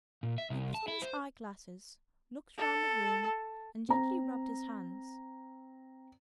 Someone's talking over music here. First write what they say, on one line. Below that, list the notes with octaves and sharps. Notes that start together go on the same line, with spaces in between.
He put on his eye-glasses, looked round the room, and gently rubbed his hands.
A#2
E5
C2
A5
E4
C5
A4
C4 A#5